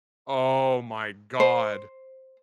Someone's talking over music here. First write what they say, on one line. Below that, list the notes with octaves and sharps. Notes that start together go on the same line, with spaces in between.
Oh, my god.
C5